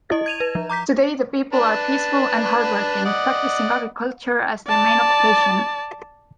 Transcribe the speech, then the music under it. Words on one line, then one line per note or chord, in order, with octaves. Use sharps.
Today the people are peaceful and hardworking, practicing agriculture as their main occupation.
E4 D#5
G#6 D#7 F7
B4
F3
A#5 D6 G6 B6
D4 B4 A5
D5 D#5 F#5
D5 A5